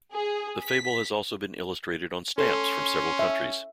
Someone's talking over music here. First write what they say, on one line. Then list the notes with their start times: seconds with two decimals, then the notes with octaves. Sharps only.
The fable has also been illustrated on stamps from several countries.
0.12 G#4
0.65 B6
2.38 C#4 A4 C6
3.19 E5